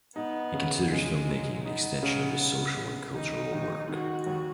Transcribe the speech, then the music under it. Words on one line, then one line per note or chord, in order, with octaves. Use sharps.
He considers film making as the extension of his social and cultural work.
B3 D#4
C#3
C#3 G#3
F#2
B3 D#4
C#3
C#3
C#3
D#2 D#4
D#2
D#3 F#4
D#2